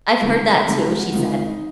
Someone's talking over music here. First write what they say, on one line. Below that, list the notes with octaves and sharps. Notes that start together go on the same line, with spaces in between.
"I've heard that, too," she said.
C#2 C3 D#3 A4
A4
A4
C#2 C3 D#3
F#4
C#2 C3 D#3 F4
D#4
D#4